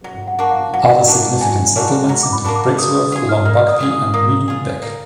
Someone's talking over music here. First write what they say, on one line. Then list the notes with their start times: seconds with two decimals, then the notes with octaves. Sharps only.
Other significant settlements include Brixworth, Long Buckby and Weedon Bec.
0.04 F#3
0.28 F#5
0.39 A#3 D4 F#4
0.51 F5
0.74 F#3 F#5
1.07 A#3 D4 F#4
1.41 F#3 G#5
1.76 A#3 D4 F#4
2.09 F#3 A#5
2.23 D6
2.32 B5
2.44 A#3 D4 F#4
2.56 D6
2.78 A#3 D#6
2.95 D#6
3.12 F4 G#4 D#6
3.29 F6
3.45 A#3 F6
3.68 D#6
3.80 F4 G#4
3.91 D#6
4.14 A#3 D#6
4.48 F4 G#4
4.83 A#3